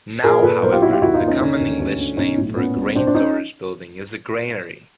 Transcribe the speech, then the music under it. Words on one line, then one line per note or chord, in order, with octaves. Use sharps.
Now, however, the common English name for a grain storage building is granary.
A#2 G#4 A#4
A#2 A4 B4
B1 A#4 C5
F4 G4
A#2 E4 F#4
F4 G4
D#2 E4 F#4
D#4 F4
D#2
C#4 D#4
D3 C#4 D#4
D#2
D2
D3
B1 C#4 D#4
A2
A#2 B3 C#4
C2
A1 C4 D4
D4
C#4 D#4